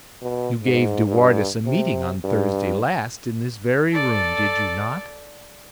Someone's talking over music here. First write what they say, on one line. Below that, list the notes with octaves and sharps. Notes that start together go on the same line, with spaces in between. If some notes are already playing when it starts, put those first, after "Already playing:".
"You gave de Wardes a meeting on Thursday last in this very room, did you not?"
B2
G#2
G2
C3
G2
A4 D5